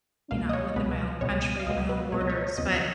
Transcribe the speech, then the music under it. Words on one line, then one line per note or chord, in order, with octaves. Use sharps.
you know, within my own country, my own borders, but
C#2 B2 A#3 F5
D#5
C#5
C#2 B2 G#3 B3 B4
C#2 B2 G#3 B3 C#5
F5
C#2 B2 G#3 B3 D#5
B4
C#2 B2 G#3 B3 C#5
D#5
C#5
D#2 C#3 F3 B3 D#5